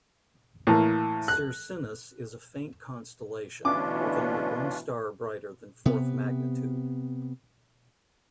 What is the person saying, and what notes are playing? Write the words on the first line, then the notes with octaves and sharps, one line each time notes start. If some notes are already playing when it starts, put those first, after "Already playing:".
Circinus is a faint constellation, with only one star brighter than fourth magnitude.
A2 E3 A#3
F#6
D2 B2 E3 C#4 D4 F4 D6
C3 B3